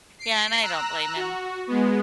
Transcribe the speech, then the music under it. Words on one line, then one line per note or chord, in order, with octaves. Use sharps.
Yeah, and I don't blame him
C7 D7
A#5 E6 F#6
F#4
G#3 B3